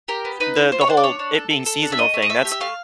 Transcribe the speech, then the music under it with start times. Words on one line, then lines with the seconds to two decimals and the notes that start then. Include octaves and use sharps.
the the whole it being seasonal thing. That's
0.08 G4 A#4
0.25 B3
0.40 D#4 B4
0.56 D#4
0.72 F4 C5
0.81 C#5
0.88 D4 C5
0.97 D5
1.03 D4 C#5
1.19 D4
1.35 A4
1.51 A4
1.66 A4
1.82 D4
1.92 E5
1.98 A3 D#5
2.14 A3
2.22 D#5
2.29 A3 E5
2.45 G4
2.51 E5
2.60 A3 F5